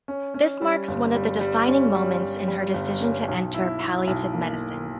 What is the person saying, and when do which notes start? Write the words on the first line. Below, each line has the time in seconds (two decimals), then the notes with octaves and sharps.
This marks one of the defining moments in her decision to enter palliative medicine.
0.08 C#4
0.34 C#4
0.62 G3
0.88 G1
1.14 G3
1.41 G3
1.68 C#4
1.95 G3
2.21 G3
2.48 G3
2.74 G1
3.01 C#4
3.28 B1
3.54 E4
3.81 E4
4.07 B1
4.34 A#3